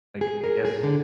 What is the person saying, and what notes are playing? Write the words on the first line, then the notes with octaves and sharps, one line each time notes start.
like, I guess,
G#4
A#4
G#4
D3